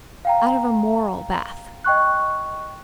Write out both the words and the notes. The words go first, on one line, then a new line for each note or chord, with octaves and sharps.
Out of a moral bath.
F5 G5 A#5
D#5 G5 C#6 F#6